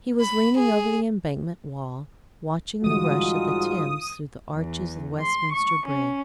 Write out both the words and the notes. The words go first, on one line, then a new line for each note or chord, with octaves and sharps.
He was leaning over the Embankment wall, watching the rush of the Thames through the arches of Westminster Bridge.
B5
G#4
G#2 D3 E3 G3 G#3 F4 F#4 D#6
E2
C6
C#6
C#4